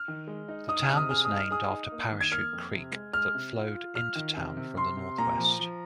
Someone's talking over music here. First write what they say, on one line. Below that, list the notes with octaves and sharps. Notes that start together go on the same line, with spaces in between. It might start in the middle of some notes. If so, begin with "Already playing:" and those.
The town was named after Parachute Creek, that flowed into town from the northwest.
Already playing: F6
D#3
G#3
D#4
D#4 D#6
F6
C3
D#6
G#4 F6
D#4 D#6
F6
G#4 D#6
D#4
A#3
D#3
G#6
A#3 F6
F2
C3
G#3
G#3 F6
C3
F4
F4
F4 F6
D#3
C3
C3
C3 C6
C3
A#2 A#5
F3
F3